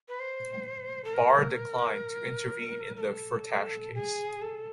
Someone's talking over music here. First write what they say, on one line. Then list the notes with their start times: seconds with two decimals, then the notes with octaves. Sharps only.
Barr declined to intervene in the Firtash case.
0.08 B4
0.20 C5
1.04 A4
1.14 A#4
2.96 A#4
3.01 A4
3.94 G#4
4.42 A4